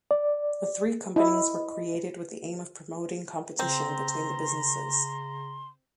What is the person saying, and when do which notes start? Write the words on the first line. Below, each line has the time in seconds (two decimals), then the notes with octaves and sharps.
The three companies were created with the aim of promoting competition between the businesses.
0.11 D5
1.16 E4 D#5
3.59 C#3 C4 A#5 C6